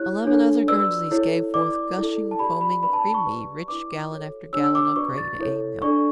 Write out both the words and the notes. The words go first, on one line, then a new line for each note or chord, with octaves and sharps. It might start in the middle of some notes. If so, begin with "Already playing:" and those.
Eleven other Guernseys gave forth gushing, foaming, creamy rich gallon after gallon of Grade A milk.
Already playing: E4 G4 C#5 F#6
D4 A4 C#5
F#4 B4 D5 E6
E4 A4 C#5
E4 B4 D5 D6
E4 A4 D5
A5
G4 D5 B5
B5
F#4 B4 D5 B5
A5
A5
C#6
G4 B4 D5
E4 B4 D5 D6
F#4 A4 C#5
D4 G4 C#5 E6
E6
D6
D6
F#4 B4 D5 C#6
A6
E4 A4 C#5
D4 A4 D5 C#6